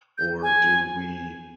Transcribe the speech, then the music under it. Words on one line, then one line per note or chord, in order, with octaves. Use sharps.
Or do we
G6
G#5